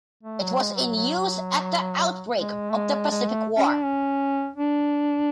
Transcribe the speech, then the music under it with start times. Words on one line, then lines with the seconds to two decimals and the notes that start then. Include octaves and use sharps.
It was in use at the outbreak of the Pacific War.
0.23 A3
0.41 F#3
0.59 G#3
0.77 F#3
0.96 F#3
2.39 G#3
2.70 A3
2.76 G#3
3.11 G#3
3.30 A3
3.58 C#4
3.66 D4
3.84 C#4
4.57 D4